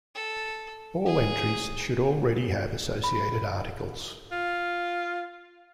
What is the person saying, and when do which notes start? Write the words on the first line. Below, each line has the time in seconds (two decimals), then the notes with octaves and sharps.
All entries should already have associated articles.
0.15 A4
1.05 G#4
3.04 B5
4.32 F4